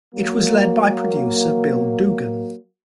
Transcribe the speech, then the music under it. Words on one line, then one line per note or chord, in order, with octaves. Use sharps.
It was led by producer Bill Dugan.
F#3 A#3